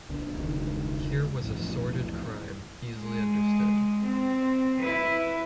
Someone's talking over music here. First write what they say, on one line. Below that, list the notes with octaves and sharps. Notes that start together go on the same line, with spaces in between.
Here was a sordid crime, easily understood.
B1 B2 D3
E1 C#2 D3 D#3
B1 F2 A2 E3
G#3
C4
E4 B4